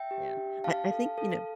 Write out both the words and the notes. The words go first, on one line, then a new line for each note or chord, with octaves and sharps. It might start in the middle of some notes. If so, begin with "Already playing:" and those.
yeah, I I think, you know,
Already playing: E5 G5
G4
D4
D4 F5 A5
A4
A4